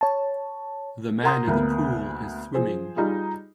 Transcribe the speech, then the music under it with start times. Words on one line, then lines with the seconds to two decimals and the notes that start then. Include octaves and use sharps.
The man in the pool is swimming.
0.01 C#5 A5
1.23 A#4 F#5 A#5 C6 D#6 G6
1.47 D2 A#3 B3
2.54 F3 G#4 C5
2.96 G3 D#4 F4 G#4